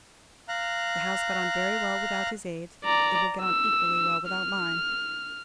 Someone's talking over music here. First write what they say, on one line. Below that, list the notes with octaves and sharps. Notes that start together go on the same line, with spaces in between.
The house got on very well without his aid; it will get on equally well without mine.
F5 A#5 F#6
D5 A#5
E6
F6